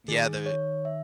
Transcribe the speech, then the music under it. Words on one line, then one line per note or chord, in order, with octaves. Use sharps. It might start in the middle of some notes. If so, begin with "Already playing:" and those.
yeah, the
D#3 G#4
C#5
E5